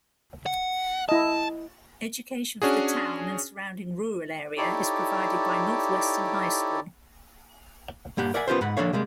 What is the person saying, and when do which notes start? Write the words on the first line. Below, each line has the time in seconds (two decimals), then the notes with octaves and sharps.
Education for the town and surrounding rural area is provided by Northwestern High School.
0.46 F#5
1.09 E4 D#5 A5
2.62 C#4 D4 F#4 G#4
4.57 D#4 E4 G4 A4 C#5 D5
8.17 G2 A#3 G4 F#5
8.34 A#4 D5 E5 F#5 G#5
8.48 B3 C#4 F4 G4 A#4 C5
8.61 G#2 F#5 B5
8.77 F3 A#3 D4 A4 C#5 F5
8.93 C3 G3 G#3 A#3